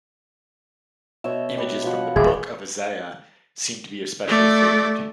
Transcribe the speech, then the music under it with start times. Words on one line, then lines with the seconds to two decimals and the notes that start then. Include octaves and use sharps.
Images from the Book of Isaiah seem to be especially favoured.
1.24 B2 C#5 D#5 E5
1.57 G4 B4
1.83 B2 F3 F#5
2.16 D#1 E2 G#4 E5 D6
4.28 A3 D5